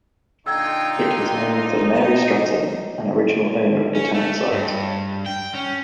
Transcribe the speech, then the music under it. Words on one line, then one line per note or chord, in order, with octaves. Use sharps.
It was named for Mary Stratton, an original owner of the town site.
A#2 D3 D#4 G5 C6 E6 G#6
D#5
C#4
A3
G2
G5
C#4